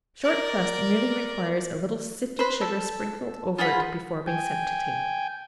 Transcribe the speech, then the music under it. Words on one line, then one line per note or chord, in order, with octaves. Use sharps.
Short crust merely requires a little sifted sugar sprinkled over it before being sent to table.
A#4 D5
B4 C5
A4
F4 G#4 F#5 B5
G5 G#5